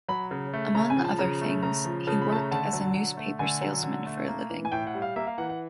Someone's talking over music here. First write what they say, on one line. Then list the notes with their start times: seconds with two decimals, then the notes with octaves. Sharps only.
Among other things, he worked as a newspaper salesman for a living.
0.09 F#3 B5
0.31 C#3
0.53 A3
0.74 C#3 A#5
0.90 G#5
0.97 F3
1.04 A5
1.18 C#3 A#5
1.41 A3
1.63 C#3 A#5
1.85 F3
2.07 C#3 A5
2.22 B5
2.29 A3 A5
2.36 A#5
2.51 D3 A5
2.73 F#3
2.95 D3
3.17 A3
3.39 D3 G#5
3.61 F#3
3.83 D3
4.06 A3
4.28 A#3
4.50 E3
4.65 G#5
4.72 A2 G5
4.87 F#5
4.94 G3
5.02 F5
5.16 A#3 E5
5.27 F5
5.38 E3 F#5
5.49 F#5